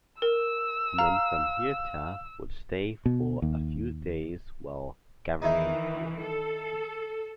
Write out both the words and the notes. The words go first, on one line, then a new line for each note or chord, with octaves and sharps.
Men from Hirta would stay for a few days while gathering wool.
A#4 E6
F5 A#5
B2
D#2
D#3 E3 D#4 E4
A4